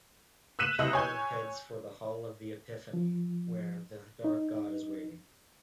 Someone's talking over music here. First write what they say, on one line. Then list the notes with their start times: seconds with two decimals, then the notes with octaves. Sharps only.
Caleb heads for the "Hall of the Epiphany" where the dark god is waiting.
0.59 E6 F#6 B6 D#7 E7 F#7
0.79 C2 D#5 E6 F#7
0.93 C#5 G#5 G6
2.93 F3
4.24 D#4